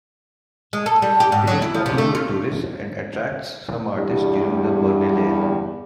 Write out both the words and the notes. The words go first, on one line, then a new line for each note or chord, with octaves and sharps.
It is popular with tourists and attracts some artists during the Berlinale.
G#3
A4
G3
G4
G#2
F#3
E4
F3
C3
A3
F4
E2 G2 G3